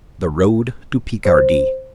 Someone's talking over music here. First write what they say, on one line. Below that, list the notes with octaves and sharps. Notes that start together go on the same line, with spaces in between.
The Road to Picardy.
C5